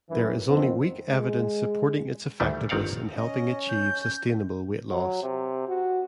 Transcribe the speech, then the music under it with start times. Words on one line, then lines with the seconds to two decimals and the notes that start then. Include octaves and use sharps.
There is only weak evidence supporting its effectiveness in helping achieve sustainable weight loss.
0.11 F#2 E3
0.49 F2 D#3 B3 C4
1.10 G#3
2.40 D2 D#3 G3 A3
2.69 G1 D#3 C4 D5 F5 F#5
3.16 C#4 D#5
3.69 G6
4.91 F#3
5.22 C3
5.68 F#4